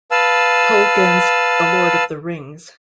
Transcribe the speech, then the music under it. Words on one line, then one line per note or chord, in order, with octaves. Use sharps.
Tolkien's The Lord of the Rings.
B4 F5 A5 E6